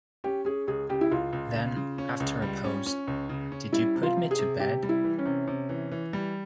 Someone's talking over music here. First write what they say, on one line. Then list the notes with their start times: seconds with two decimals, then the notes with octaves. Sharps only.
Then, after a pause: "Did you put me to bed?"
0.24 C#4 G4
0.45 C#4 G#4
0.68 C#2 G#4
0.89 C#3 G4
1.01 E4
1.12 C#2 F4
1.33 C#2
1.55 C#3
1.76 C#3
1.98 C#4
2.20 C#2
2.42 G3
2.64 C#4
2.86 C#4
3.07 C#2
3.29 C#3
3.52 C#4
3.73 G3 E4
3.96 C3
4.03 F4
4.17 C3
4.31 G#4
4.39 C3
4.60 C3 G4
4.83 G3
4.89 E4
5.04 E3
5.19 C#4
5.26 C3
5.48 C3
5.69 E3
5.92 E3
6.13 G3